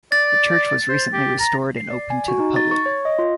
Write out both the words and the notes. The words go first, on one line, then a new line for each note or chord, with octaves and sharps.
The church was recently restored and opened to the public.
D5 A6
C5
G4
A#5
C7
D5
G#5
F#4
D#4
A6
C#6
C#5
D#5
F4